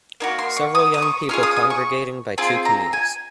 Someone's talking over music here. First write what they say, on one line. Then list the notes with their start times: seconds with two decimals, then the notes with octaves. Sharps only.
Several young people congregating by two canoes.
0.20 A#3 D#4 F#4
0.39 C6
0.57 C#6
0.75 D#6
0.94 D#6
1.02 C#6
1.29 C#4 F4 G#4 F6
1.43 D#6
1.56 D#6
1.70 C#6
2.38 C4 F4 G#4 C6
2.65 A#5
2.93 G#5